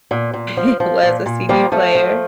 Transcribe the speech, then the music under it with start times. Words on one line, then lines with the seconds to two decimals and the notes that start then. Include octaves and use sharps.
it was a CD player,
0.11 A#2
0.33 A#2
0.57 F3
0.80 F3
1.03 A#2
1.26 A#2
1.49 F3 G3 A#3
1.72 F3 A3
1.95 F3